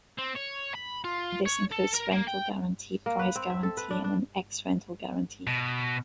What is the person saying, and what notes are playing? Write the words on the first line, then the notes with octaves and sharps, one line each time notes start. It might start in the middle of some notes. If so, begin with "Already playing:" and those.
This includes Rental Guarantee, Price Guarantee and an Ex-Rental Guarantee.
C4
C#5
B5
F4
C#5
A4
A#4
A#3
G5
A#3
B4
C4
E5
A4
B4
D4
D4
B2